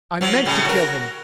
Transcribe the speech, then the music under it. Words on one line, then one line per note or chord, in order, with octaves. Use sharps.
I meant to kill him.
F3 F#3
A2 C#3 G3
F#4 A#4